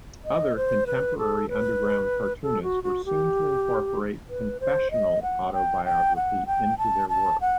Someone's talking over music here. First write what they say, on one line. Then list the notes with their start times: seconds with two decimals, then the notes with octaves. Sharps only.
Other contemporary underground cartoonists were soon to incorporate confessional autobiography into their work.
0.25 D#5
0.56 C5
0.87 B4
1.18 A4
1.49 B4
2.43 A4
2.63 F#4
2.83 F#4
3.05 G4
4.30 B4
4.60 C5
4.91 D#5
5.23 F#5
5.53 G5
5.85 G5
6.16 F#5
6.47 G5
6.78 A5
7.09 A5
7.41 F#5